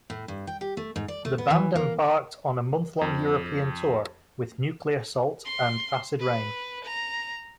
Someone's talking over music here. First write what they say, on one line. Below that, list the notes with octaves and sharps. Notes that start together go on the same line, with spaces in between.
The band embarked on a month-long European tour with Nuclear Assault and Acid Reign.
A2
G2
G5
G4
A3
G#2
D5
A3
B3
E3
A#3
F2
C6
B4
A#5